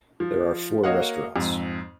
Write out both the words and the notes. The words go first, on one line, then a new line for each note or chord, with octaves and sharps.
There are four restaurants.
F3
A#3 F#4 C#5 D#5 F5 F#5
F2 G#2